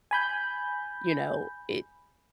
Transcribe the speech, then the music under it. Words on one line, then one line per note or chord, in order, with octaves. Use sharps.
you know, it
G#5 B5 G6